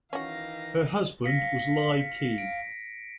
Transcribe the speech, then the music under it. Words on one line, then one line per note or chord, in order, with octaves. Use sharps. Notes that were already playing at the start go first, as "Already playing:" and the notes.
Her husband was Li Qi.
D#3 E3 C#4 F#4 F5 A#6
F5 A#6 B6 C#7
D7